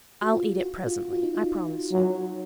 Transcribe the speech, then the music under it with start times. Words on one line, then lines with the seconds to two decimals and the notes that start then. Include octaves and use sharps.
I'll eat it presently; I promise you.'
0.22 F#4
0.34 F4
0.60 F#4
0.86 F4
1.13 F4
1.23 D#4
1.35 F4
1.92 F#3